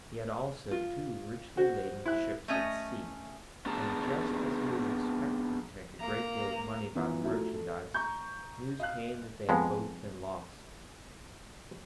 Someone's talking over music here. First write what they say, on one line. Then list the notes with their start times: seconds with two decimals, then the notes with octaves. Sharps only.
He had also two richly-laden ships at sea, and just as he was expecting to make a great deal of money by the merchandise, news came that they had both been lost.
0.71 F4
1.57 F#4 C5 F#5
2.06 E4 F#6
2.48 A3 C#4 D#5
3.66 B3 D4 D#4 G#4 A5 A#5
6.00 A#3 A#5
6.95 E3 B3 D#4 F4
7.24 F3 F#3 A3 D#4 E4
7.54 A4
7.94 A#5 C#6 G6
8.80 D#5 F5 F#6
9.49 F2 G#3 B3